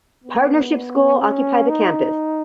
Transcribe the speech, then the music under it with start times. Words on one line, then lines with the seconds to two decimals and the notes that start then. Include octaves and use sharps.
Partnership School occupy the campus.
0.24 B3
1.21 C#4
1.69 D#4